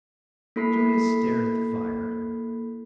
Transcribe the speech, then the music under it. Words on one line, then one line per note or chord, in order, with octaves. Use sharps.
Julius stared at the fire.
A#3 E4 A4 B5 B6 C7